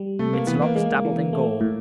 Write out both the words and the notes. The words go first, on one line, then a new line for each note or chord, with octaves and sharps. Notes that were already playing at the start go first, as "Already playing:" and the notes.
Its locks dabbled in gore.
Already playing: G3
C3 A3
A#3
E3 B3
A#3
G#3 A#3
E3
A3
A2